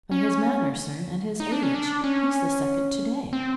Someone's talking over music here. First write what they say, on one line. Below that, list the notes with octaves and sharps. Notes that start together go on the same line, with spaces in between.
"By his manner, sir, and his age; he's the second to-day."
C#4
D#4
D4
C#4
D4
C#4
C4